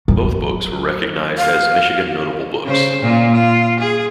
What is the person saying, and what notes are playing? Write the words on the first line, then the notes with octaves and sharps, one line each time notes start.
Both books were recognized as Michigan Notable Books.
F#3
F5
C#3 C5
A#2 F4
F4
G#4